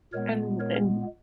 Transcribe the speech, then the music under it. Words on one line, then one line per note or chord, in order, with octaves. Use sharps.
And and
A#2 G#3 B3 A#4 C#5
A#4 C#5